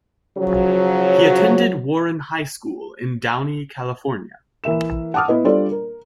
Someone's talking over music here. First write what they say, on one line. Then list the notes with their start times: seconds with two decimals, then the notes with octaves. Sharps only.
He attended Warren High School in Downey, California.
0.37 C#3 F3 F#3
4.64 E3 A#4 E5 E7
5.14 F#5 A5 D6 D#6 F6
5.28 B3 E4 B4 D#5
5.45 G3 D4 F4 A4 C5 D5
5.71 A#4